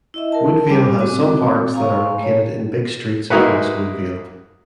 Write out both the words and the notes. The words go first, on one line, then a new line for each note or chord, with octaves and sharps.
Woodvale has some parks that are located in big streets across Woodvale.
E4 D#5 E5
A#4 A5
G3 B3 G4 G#5 D6
G#3 C4 F#4 D6
F5 G#5 A#5 C6 C#6
A3 C#5
G#3 A#3 D#4 E4 F#4 B4